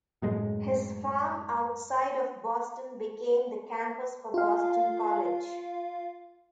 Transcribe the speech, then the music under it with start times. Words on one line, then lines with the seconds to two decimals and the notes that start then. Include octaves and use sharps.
His farm outside of Boston became the campus for Boston College.
0.22 F#2 A2 G#3
4.34 F4 F5